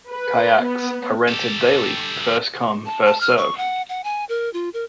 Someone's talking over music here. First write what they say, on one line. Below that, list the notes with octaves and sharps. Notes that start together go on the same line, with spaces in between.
Kayaks are rented daily, first come, first served.
B4
B3
G4 A4
A5
A5
F6
C#6
F#5
F#5
G#5
A#4
F4
A#4